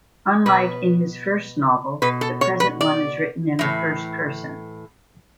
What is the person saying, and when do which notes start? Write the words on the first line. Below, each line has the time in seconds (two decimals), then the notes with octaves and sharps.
Unlike in his first novel, the present one is written in the first person.
0.46 B2 B4
2.02 B2 B4
2.21 A4
2.41 C#5
2.60 B4
2.81 D5
3.59 A2 E3